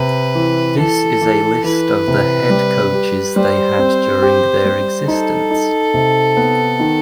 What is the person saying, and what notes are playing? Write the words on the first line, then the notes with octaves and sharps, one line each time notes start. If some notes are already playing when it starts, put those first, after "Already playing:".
This is a list of the head coaches they had during their existence.
Already playing: C3 B4
E3
E3 A4
E3
E3 B4
C3
G3
G4
G3 C5
C4
G4
G3
D#4 A4
D#4
C3
B3
D#3